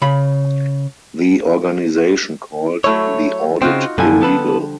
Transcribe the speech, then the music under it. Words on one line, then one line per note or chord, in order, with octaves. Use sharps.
The organisation called the audit illegal.
C#3 B5
F#3 A3 E4 C#5
C#3 C4 D#4 F4 F#4
F#2 D3 F3 G3 G#5
B3 A4 B4